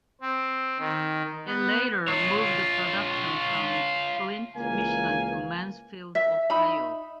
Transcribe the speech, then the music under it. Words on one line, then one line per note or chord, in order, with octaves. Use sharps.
It later moved production from Flint, Michigan to Mansfield, Ohio.
C4
D#3
B3
F4 C#5
C#2 E3 A#3 G#5
E5
D#4 E5 B5